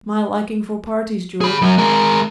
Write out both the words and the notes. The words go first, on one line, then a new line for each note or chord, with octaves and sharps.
"My liking for parties, George."
G#4 B5
F#2 F#3
G#3 A#4